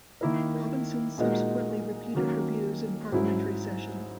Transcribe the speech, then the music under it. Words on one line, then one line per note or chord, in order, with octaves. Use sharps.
Robinson subsequently repeated her views in parliamentary session.
D#3 A#3 E4 A#4
A#2 G#3 D#4 F#4 A#4
D#3 F#3 A#3 C#4
G#2 F#3 C#4 E4